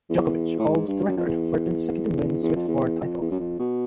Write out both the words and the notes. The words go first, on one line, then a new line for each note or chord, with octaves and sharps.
Djokovic holds the record for consecutive wins with four titles.
E2
A2
G#2
G2
F#2
F2
E2
E2
F2
E2
F2
E2
F#2
F2
B2